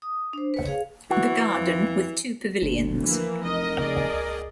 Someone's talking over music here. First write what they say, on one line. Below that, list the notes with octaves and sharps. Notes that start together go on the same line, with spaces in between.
The garden, with two pavilions.
D#6
D4 C5
B4 C#5
G#4 F5
E3 F#4
F2
G1 D2
E3 F3 A#3
F1 A#4 D#5
C#3 G#4 D5 D#5
C#2